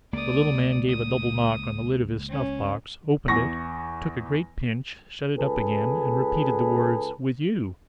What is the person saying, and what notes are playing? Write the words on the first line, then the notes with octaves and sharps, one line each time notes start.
The little man gave a double-knock on the lid of his snuff-box, opened it, took a great pinch, shut it up again, and repeated the words, 'With you.'
C#2 A#3 D5 D#6
D#6
C#4
E2 C#6 A#6
C#2 G#4 A4 B4